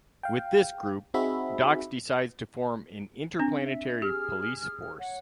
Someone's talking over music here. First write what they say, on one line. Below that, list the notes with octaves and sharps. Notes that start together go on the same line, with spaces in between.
With this group, Dox decides to form an interplanetary police force.
F5 G5
C4 D#4 F#4 G#4 E5 B5
C4 D4
E5
G4 G#4 F6
C#5 F#5